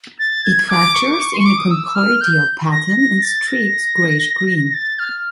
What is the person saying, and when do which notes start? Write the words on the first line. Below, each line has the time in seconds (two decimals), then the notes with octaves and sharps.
It fractures in a conchoidal pattern and streaks grayish-green.
0.19 A6
0.44 G#6
0.70 D6
0.95 C#6
1.12 D6
1.20 C#6
1.33 C6
1.39 C#6
1.46 D6
1.58 D#6
1.71 E6
1.88 E6
1.95 F6
2.21 G6
2.72 A#6
2.97 A#6
3.18 A#6
3.22 A6
3.47 A#6
4.74 A6
4.99 F6